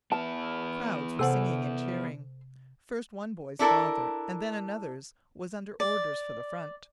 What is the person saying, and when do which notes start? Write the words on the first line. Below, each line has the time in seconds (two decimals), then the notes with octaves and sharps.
Crowds were singing and cheering. First one boy's father and then another's was under orders for the front.
0.12 B3 E4 A5
1.19 C3 A4 C5 F#5 G#5
3.59 D4 E4 A4 A#4
5.80 D5